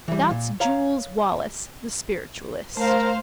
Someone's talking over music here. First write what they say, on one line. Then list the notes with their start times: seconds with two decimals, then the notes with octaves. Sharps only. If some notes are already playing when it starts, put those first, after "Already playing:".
"That's Jules Wallace, the spiritualist."
0.08 E3 G3
0.31 A#2
0.60 C#5 F5 A#5
2.77 A3 A#4 C5 F5